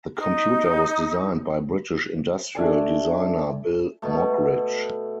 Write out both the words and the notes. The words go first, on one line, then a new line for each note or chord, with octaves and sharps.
The computer was designed by British industrial designer Bill Moggridge.
D#4
A3 D4 D5 G#5
B2 A3